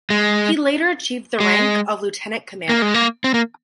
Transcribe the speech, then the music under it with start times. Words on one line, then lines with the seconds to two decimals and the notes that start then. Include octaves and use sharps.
He later achieved the rank of Lieutenant-Commander.
0.10 G#3
1.40 G#3
2.69 A#3
2.82 G#3
2.94 A#3
3.24 C4
3.34 A#3